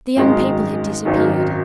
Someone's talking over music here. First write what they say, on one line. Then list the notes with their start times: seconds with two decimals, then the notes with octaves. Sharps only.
The young people had disappeared.
0.16 G#1 F#2 D#3 G#3
1.05 G#1 F#2 D#3